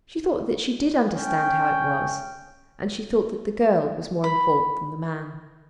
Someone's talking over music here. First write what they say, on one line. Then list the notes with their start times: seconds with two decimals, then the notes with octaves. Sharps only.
She thought that she did understand how it was, and she thought that the girl was more in fault than the man.
1.12 C#4 G5
4.24 B5